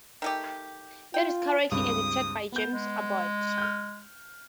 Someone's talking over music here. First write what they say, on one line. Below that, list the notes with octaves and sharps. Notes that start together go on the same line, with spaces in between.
It is currently edited by James Abbott.
D#3 A3 G4
F4 G5
C#2 G2 C4 D#6
B3 G6
G#3
F6 G6